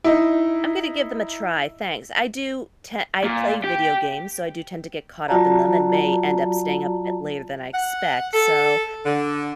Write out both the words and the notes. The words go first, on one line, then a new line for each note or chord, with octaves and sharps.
I'm gonna give them a try, thanks. I do te I play video games, so I do tend to get caught up in them and may end up staying up a bit later than I expect. So,
D#4 E4
A#2
G4
F#3 F4 F#4 D5 A5 A#5
F#5
A4
D3